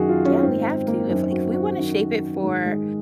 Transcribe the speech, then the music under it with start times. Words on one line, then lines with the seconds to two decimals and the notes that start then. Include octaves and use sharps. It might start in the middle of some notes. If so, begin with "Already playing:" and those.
Yeah, we have to. If if we wanna shape it for,
Already playing: F#2 D#3 F#4 G#4
0.09 F4
0.25 C#4
0.43 G#2 D#3 C4
0.87 A#3
1.09 F#2 D#3 C4
1.31 F#4
1.54 F#4
1.76 F#2 D#3
2.43 G#2 D#3 G#3
2.65 G#3